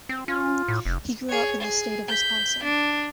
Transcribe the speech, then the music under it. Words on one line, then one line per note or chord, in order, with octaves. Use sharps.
He grew up in the state of Wisconsin.
C4
C#4 F4
A2
F1
G#4 C#5
G#4
G6 B6
D4